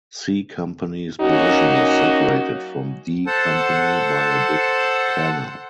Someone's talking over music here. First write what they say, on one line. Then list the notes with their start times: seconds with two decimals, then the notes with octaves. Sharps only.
C Company's position was separated from D Company by a big canal.
1.21 F#3 A#3 C#4 D#4 F#4
3.27 A4 C5 F#5 A5